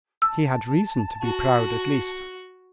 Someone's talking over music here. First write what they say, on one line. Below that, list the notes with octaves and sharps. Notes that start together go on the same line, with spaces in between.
He had reason to be proud, at least.
A5 E6
F#4